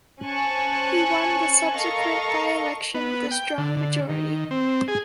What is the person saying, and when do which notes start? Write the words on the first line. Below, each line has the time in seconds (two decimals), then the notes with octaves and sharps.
He won the subsequent by-election with a strong majority.
0.21 C#4 C5 G#5 A5 C#6 F#6
1.75 A4 A#4 D#5 F5 C#6
2.94 B3
3.31 G5
3.58 D3
3.77 D3
4.09 D#3
4.51 C4
4.88 G#4